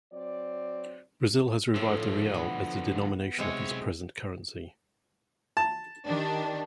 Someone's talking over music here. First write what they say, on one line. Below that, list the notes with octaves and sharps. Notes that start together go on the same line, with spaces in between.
Brazil has revived the real as the denomination of its present currency.
F#3 C4 D5
A2 D3 F3
B3
B1 C3 G#3 C#5
A5
D#3 D4 G4